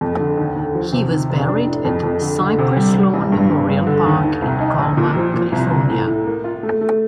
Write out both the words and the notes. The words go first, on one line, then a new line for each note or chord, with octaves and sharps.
He was buried at Cypress Lawn Memorial Park in Colma, California.
F2
D3
D#2
D#2
F3
C3
D#3
F1
D4
A2
F2
F2
D3
D3
C3
G3
G3
A1
G2
G2
G2
D3
D#2
D#3
C2
D#4
A#1
A#2
F3
A#2
C2
C2
A2
A2
A#3
F4
A3
A3